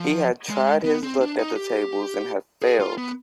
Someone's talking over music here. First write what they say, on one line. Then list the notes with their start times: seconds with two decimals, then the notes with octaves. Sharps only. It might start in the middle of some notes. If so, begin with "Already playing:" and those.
He had tried his luck at the tables and had failed.
Already playing: F3
0.50 G#3
0.85 B3
1.03 C4
1.21 D4
1.39 D#4
1.56 G4
2.62 G#4
2.81 F4
2.98 B3